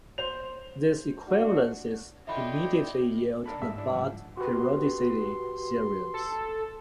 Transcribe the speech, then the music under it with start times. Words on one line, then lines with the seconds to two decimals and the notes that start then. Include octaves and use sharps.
These equivalences immediately yield the Bott periodicity theorems.
0.18 C5 F7
1.26 A2 D4 F#4
2.27 D3 F4 C#5 D#5 E5 G5 B5
3.46 D4 A#4 A5 B5
3.62 G#2 G3 D#4 E5
3.78 D4 E4
3.94 G#2 C#3 F3 F#5
4.37 F#4 G4 B4 C6
6.14 A4